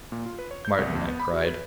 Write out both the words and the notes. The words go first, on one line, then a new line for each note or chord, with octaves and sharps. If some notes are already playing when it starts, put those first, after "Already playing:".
"Martin," I cried.
A#2
F4
B4
C#5
G6
C2
F2
B3
B5
F#4
B4